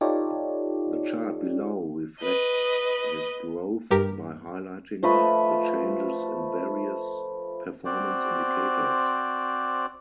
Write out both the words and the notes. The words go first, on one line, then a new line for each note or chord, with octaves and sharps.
The chart below reflects this growth by highlighting the changes in various performance indicators.
D#4 F4 G4 A4 C#5 D5
B4 D#5
G2 G4 A#4
F3 A3 B4 D#5
C4 F#4 C5 D5